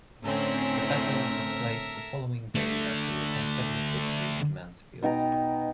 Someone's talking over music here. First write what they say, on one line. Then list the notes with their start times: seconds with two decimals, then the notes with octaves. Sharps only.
The battle took place the following day after the Confederate victory at Mansfield.
0.25 A2 D3 C4 C#4 A4 A#4 E5
2.55 D3 A3
5.02 B2 D#4 G5 A#5